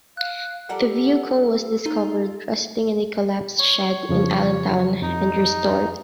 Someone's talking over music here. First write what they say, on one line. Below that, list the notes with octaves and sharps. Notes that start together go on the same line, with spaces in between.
The vehicle was discovered rusting in a collapsed shed in Allentown, and restored.
F5 F#6
F3 G3 A4 A#4 F#5
D#4 F4
C#5
F2 C#3 F3
F2 D#4